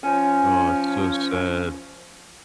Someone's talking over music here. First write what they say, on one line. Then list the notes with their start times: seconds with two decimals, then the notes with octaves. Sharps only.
Oh, it's so sad.
0.03 F3 C#4 G#5